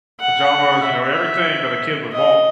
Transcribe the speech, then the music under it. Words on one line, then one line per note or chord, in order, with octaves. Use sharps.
pajamas, you know, everything that a kid would want.
F#5
E5
D#5